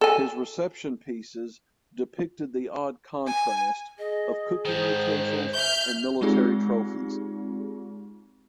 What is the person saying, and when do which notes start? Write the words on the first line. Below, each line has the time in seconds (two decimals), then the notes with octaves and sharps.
His reception pieces depicted the odd contrast of cooking utensils and military trophies.
0.01 A4 G#5
3.27 G#5
3.99 G#4 D#5
4.65 G#2 D#3 C5
5.53 E5 F6 G6
6.21 G#3 C4 D#4 F4 G4 G#4